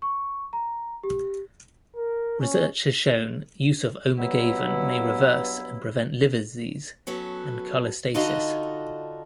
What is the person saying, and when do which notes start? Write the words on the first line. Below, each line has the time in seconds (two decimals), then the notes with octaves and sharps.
Research has shown use of Omegaven may reverse and prevent liver disease and cholestasis.
0.02 C#6
0.53 A#5
1.03 G4
1.96 A#4
2.40 C#4
4.17 G2 B2 F#3 B3 E4
7.07 F#3 B3 C#4 A4
8.14 D3 D#4 F4 F#4 A4 D#5